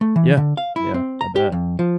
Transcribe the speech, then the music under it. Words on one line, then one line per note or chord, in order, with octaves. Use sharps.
Yeah. Yeah. I bet.
A3
E3
D3
F5
E4
C4
A#5
G4
F2
F3